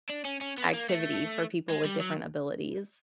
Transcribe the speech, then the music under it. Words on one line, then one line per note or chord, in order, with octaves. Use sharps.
activity for people with different abilities.
D4
C#4
C#4
B3
A#3
A3
G#3
G3
F#3